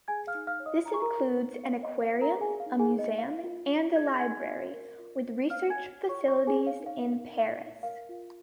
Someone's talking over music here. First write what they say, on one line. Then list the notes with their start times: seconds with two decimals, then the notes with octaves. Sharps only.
This includes an aquarium, a museum, and a library, with research facilities in Paris.
0.08 G#4 G#5 G#6
0.27 F5 F6
0.35 D#4
0.47 F5 F6
0.60 C#5
0.66 D#5 D#6
0.86 C#5 A#5
0.94 C#6
1.02 A#4 A#5
1.12 C#5
1.38 D#4
1.63 C#5 F5
1.83 D#5
1.89 C#5
2.02 F5
2.15 F4
2.22 A#4 A#5
2.40 G#4 G#5
2.60 F5
2.66 D#4
2.79 G#4 G#5
2.92 C#5
2.99 D#5
3.18 A#4 F5
3.43 F4
3.70 C#5
3.96 G#4 G#6
4.07 A#6
4.19 D#4 G#5 G#6
4.48 C#5
4.73 A#4
4.99 F4
5.25 C#5
5.50 C#5 F5 F6
5.70 G#5 G#6
5.77 C#5
6.03 F4
6.09 C#5 C#6
6.28 C#5 C#6
6.47 G#4 G#5
6.54 C#5
6.67 F5
6.80 D#4
6.86 F5
7.05 A#4
7.31 D#4
7.57 C#5
7.83 A#4 F5
8.09 F4